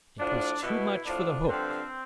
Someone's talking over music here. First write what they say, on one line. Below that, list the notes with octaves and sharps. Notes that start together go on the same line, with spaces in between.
It was too much for the hook.
A2 F3 D4
B2 E4
A2 F3 D4
G2 D3 F3 C4